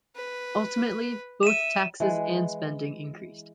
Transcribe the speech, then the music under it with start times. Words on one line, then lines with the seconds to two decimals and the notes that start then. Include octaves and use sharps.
Ultimately, both taxes and spending increased.
0.16 B4
1.43 E5 D#7 E7
2.00 E3 G#3